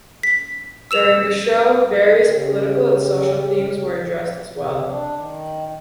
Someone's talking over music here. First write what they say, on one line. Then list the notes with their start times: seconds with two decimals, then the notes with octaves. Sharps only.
During the show, various political and social themes were addressed as well.
0.23 B6
0.91 E6 E7 F7
2.28 C#3 G4
4.56 C3
4.89 D4
5.16 D#3